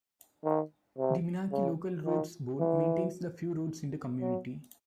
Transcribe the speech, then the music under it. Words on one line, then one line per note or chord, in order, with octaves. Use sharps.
The Minaki Local Roads Board maintains the few roads in the community.
D#3
C3
C#3
D#3
E3
F#3